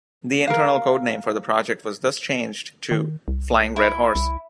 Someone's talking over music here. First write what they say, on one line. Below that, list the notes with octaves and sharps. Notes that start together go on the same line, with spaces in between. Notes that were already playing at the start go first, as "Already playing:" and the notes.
The internal codename for the project was thus changed to "Flying Red Horse".
A#4 F5
D#3
C2
E4
C2